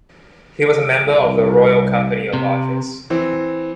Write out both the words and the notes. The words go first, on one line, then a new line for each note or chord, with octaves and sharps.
He was a member of the Royal Company of Archers.
C2
C3
E3 C4